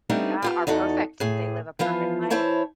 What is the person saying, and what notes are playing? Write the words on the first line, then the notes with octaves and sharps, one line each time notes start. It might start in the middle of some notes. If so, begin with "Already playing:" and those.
Yeah, are perfect. They live a perfect life.
G3 A3 B3 C4 D4 D#4
B3 F4 G4
E2 D#4 F#4 A4
A2 G#4
E3 F3 B3 F4
E3 E4 C5 C#5 A5